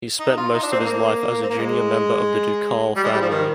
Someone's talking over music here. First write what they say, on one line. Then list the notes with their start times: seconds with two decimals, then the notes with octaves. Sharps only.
He spent most of his life as a junior member of the ducal family.
0.19 D#4
0.37 F4
0.54 D#4
0.63 D4
0.72 C4
0.80 A#3
1.42 C4
1.50 A#3
1.58 G#3
2.96 G3
3.04 G#3
3.12 G3
3.21 F3
3.30 D#3